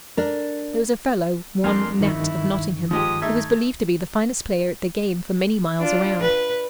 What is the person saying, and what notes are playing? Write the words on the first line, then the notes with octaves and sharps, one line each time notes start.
There was a fellow, one Nat of Nottingham, who was believed to be the finest player at the game for many miles around.
D4 A#4
F2 D4 A#4 G#5 C6 F6
G2 D#3 E4 C#6
F3 G#3 G4 D#6
A3 D#4 E5 G#6
D4 F4
B4